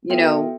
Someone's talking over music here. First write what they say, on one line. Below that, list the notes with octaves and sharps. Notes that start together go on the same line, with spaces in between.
you know
B3 F#4 A4 E5 G5